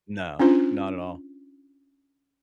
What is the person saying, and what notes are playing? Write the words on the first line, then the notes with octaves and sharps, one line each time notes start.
No. Not at all.
C#4 D4 F4 C5